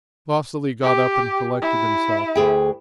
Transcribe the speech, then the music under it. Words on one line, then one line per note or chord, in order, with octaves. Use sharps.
Vasily got up and collected himself.
G4
E4
D2 G#4 G5